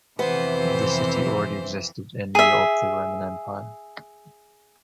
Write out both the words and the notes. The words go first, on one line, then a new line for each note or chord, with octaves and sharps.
The city already existed in the of the Roman Empire.
F2 C3 E3 B3 C5
G#4 E5